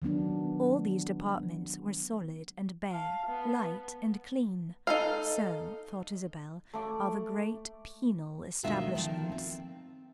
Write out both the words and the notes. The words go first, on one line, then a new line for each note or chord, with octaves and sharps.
All these departments were solid and bare, light and clean; so, thought Isabel, are the great penal establishments.
D#3 F#3 B3 D4
F5 A5
B3
D#4 A4 F5
A3 D6
D2 B2 D#3 G#3 F4 E5
D#3 F3 A3
C4